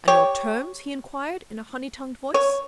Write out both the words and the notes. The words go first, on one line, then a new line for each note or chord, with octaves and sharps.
'And your terms?' he inquired, in a honey-tongued voice.
G4 C#5
C#5